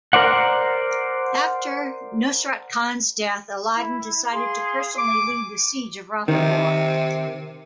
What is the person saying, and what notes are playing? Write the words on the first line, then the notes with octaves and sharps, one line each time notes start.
After Nusrat Khan's death, Alauddin decided to personally lead the siege of Ranthambore.
A#4 C5 D5 F#5
E4
G#4 F5 C6
G#5 D6
C3 D#3